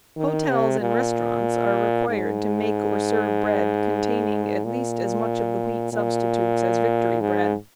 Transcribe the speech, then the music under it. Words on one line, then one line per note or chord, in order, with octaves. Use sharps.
Hotels and restaurants are required to make or serve bread containing at least as much of the wheat substitutes as Victory bread.
D#3
C3
A#2
G#2
A#2
A#2
G#2